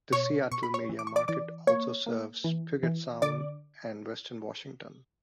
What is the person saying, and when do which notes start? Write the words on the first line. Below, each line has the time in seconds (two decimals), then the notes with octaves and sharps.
The Seattle media market also serves Puget Sound and Western Washington.
0.13 B2 C#5 C#6
0.51 B2 C#6
0.63 B5
0.74 C#5 C#6
0.89 E3
0.99 D6
1.07 C#6
1.16 D5 D6
1.28 E3 D5 D6
1.67 A#3 C#5 C#6
2.06 A#3
2.44 E3
2.83 E3
3.22 D3 D5 D6